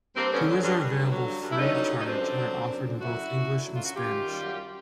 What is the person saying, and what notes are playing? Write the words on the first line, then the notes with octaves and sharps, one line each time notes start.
Tours are available free of charge and are offered in both English and Spanish.
G2 A#3 C4
D3 B3 C#4
F#3
G2
G2
D3
F#3
G2
G2
E4
D3 C#4 D#4
F#3
G2
D#4
F#2 C4 D4
D3
F#3
F#2
F#2
D3
F#3 E4 F#4
F#2
F#2
D3
F#3
F#2 F4
F#4
F#2 F4 G4
D#3
G3
F#2